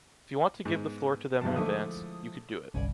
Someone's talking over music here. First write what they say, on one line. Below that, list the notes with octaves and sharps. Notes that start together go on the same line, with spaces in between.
If you want to give the floor to them in advance, you could do it.
G#2 B3
B1 E2 G2 F3 A5
D3 F3 G#3 A3 E4 D#6
G1 C2 C#4 C#5 D5